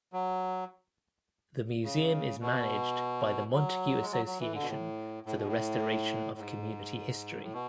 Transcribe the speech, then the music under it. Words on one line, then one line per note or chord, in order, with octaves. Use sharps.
The museum is managed by the Montague Association for the Restoration of Community History.
F#3
C#3
B2
F#3
G#3
F#3
F#3
E3
D3
B2
A2
A2
B2
A2
A2
G#2
A2
B2